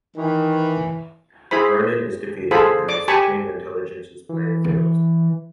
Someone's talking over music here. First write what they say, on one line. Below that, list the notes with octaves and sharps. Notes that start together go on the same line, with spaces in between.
Ronan is defeated, and the Supreme Intelligence's plan fails.
D#3 E3
E4 G#4 C5 B5
F4 G#4 A4 C5 B5
D5 D6
G4 G#5 A5 B5 C#6
E3